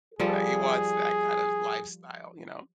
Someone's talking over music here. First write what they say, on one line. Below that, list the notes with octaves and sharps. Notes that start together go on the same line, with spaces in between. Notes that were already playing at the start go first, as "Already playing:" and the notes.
Like, he wants that kind of lifestyle, you know?
F3 G3 G#4 A4